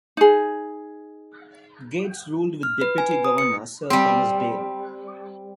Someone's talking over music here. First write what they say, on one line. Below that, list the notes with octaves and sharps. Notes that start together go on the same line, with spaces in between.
Gates ruled with deputy governor Sir Thomas Dale.
D#4 G#4
F6
B4
G#5
B4
D#6
C#7
G3 C4